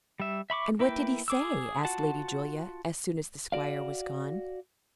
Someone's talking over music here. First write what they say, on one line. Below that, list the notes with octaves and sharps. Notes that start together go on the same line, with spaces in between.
"And what did he say?" asked Lady Julia, as soon as the squire was gone.
G3 E5
E5 B5 C#6 D6
A#3 E4 B4 G5
G#4 D6 E6
F4 F#4 F#5 A5
F#4 D5 F5